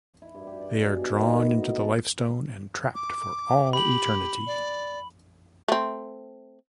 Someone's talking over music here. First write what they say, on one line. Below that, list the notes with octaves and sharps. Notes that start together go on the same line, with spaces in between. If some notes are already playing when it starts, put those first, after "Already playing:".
They are drawn into the Lifestone and trapped for all eternity.
E4
G2
G4
D5
B2
G#4
D#3
B3
A2
F#4
D#4
A5
D6
G4 B5 F#7
D5
A3 C4